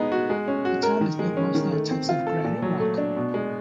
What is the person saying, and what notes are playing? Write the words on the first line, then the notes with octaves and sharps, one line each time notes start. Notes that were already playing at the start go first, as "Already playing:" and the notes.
The town is built mostly on types of granite rock.
Already playing: G#3 B3 D#4
F#4
G#3
C#4
F#4
A#4
D#3
G#3
C#4
D#3
A3
C4
F4
A4
A#2
F#3
A3
D4
B2
G#3